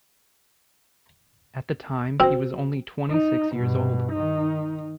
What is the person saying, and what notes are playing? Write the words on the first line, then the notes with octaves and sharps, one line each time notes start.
At the time he was only twenty-six years old.
C4 F#4 C5
D#4
G2 B2
D#3 D#4